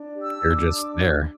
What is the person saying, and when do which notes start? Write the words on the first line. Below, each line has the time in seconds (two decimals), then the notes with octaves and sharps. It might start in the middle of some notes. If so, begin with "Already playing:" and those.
They're just there.
Already playing: D4
0.13 G4
0.22 E6
0.37 D4
0.53 D6
0.60 D4